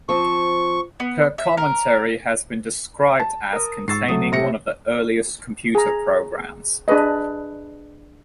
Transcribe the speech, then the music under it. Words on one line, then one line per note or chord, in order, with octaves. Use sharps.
Her commentary has been described as containing "one of the earliest computer programmes".
F3 C4 C#6
B3
E5
A#4
A5
A#4 D#6
G#2 C#6 E6 A6 C7
C#2 F#3 A3 D#6
C3 A#6 C#7
G#4 A#5
D4 G#4 B4 D#5